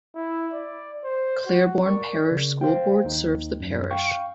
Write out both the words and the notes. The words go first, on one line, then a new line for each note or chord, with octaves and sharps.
Claiborne Parish School Board serves the parish.
E4
D5
C5
F#4
G#1 A#4 D5 C#6
C#3
C5 F5 G5
D#2 D#4
F#2
F5 G5 C#6